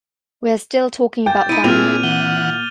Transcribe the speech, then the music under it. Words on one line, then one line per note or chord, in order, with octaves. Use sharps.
We are still talking about them.
G5 D6 G6 A6
D#4 E4 D#7
A#2 C4 D4 E4 F4 G#4 F6 F7
E3 F#5 G7